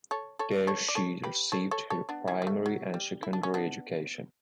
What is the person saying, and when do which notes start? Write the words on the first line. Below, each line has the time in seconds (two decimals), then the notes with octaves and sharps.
There she received her primary and secondary education.
0.11 A4 C#5
0.39 A4 C#5
0.67 A4 C#5
0.88 D5
0.95 A4 C#5
1.24 G4 B4
1.52 A4 C#5
1.71 A4 C#5
1.90 A4 C#5
2.09 B3 D4
2.28 C#4 E4
2.42 G3
2.47 A3
2.66 F#3
2.94 G3
3.23 E4
3.33 D4
3.43 C#4
3.54 B3 D4